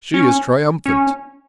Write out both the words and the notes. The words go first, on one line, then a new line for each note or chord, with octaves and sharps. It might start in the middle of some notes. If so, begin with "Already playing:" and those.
She is triumphant.
C#4
C#4